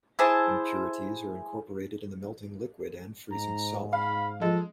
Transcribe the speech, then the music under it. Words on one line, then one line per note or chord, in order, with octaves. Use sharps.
Impurities are incorporated in the melting liquid and freezing solid.
E4 G#4 C5 A5
G#2 A#5
F5 B5
F3 G#3 A4